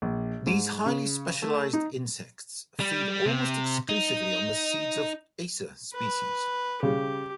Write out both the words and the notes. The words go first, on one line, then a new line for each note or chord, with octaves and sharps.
These highly specialized insects feed almost exclusively on the seeds of "Acer" species.
A#1
G#2
C#3
A3
D#4
G3
C3
D#4
B4
C#3 G3 G4